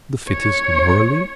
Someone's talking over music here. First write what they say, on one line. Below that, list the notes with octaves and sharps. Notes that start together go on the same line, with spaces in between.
The fittest morally?
C#5